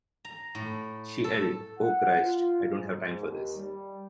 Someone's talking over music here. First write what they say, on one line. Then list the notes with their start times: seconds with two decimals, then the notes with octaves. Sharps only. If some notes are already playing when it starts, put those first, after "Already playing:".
She yelled, 'Oh, Christ, I don't have time for this.
0.25 A#5
0.55 A2
1.24 A4
1.79 F#5
2.19 F4
2.63 G#2
3.19 D#2
3.56 G3